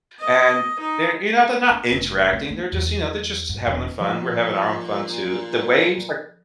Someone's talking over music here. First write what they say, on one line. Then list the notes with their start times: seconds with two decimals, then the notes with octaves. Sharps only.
and they're, you know, they're not interacting, they're just, you know, they're just having their fun. We're having our own fun, too. The waves, are
0.19 D#5
0.79 D#4
1.70 D4
1.91 F1
2.33 C4
2.51 A#3
2.72 E2
3.49 G2
3.66 E1
4.00 A#2 F3